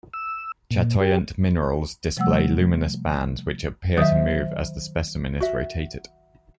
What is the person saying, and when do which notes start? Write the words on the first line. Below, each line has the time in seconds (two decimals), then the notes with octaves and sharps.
Chatoyant minerals display luminous bands, which appear to move as the specimen is rotated.
0.14 E6
0.71 A#2
1.01 G4
2.17 C3 F3 G3 A3 F#5 E6
3.97 D#3 F#3 C5 E5 D#6
5.40 F#4 E5